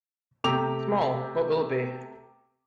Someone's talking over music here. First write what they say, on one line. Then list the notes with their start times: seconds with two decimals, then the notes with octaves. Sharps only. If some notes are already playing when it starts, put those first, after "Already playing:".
Small, what will it be?
0.44 C3 A3 G4 A#5 D6 F7